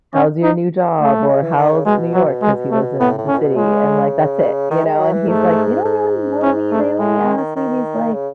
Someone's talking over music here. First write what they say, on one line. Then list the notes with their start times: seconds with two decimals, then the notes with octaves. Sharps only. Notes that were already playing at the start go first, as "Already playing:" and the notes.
"How's your new job?" or "How's New York?" 'cause he lives in the city and like that's it, you know, and he's like, "They don't really know me, they only ask me these like
0.15 C#4
0.43 D#4
1.00 A3
1.28 G#3
1.42 E3
1.57 D#3
1.72 C#3
1.86 B2 G#3
2.14 F#3
2.43 G#3
2.71 A3
3.00 A2 B3
3.18 A2
3.28 C#4
3.34 A2
3.38 B2
3.56 C#3 G#3
4.71 D#3
4.85 G#3
4.99 F#3
5.14 E3
5.29 G#2 A3
5.85 G#2
6.43 C#4
6.71 A3
6.99 A2 G#3
7.19 D#3
7.37 D#3
7.56 D#3
8.13 C#3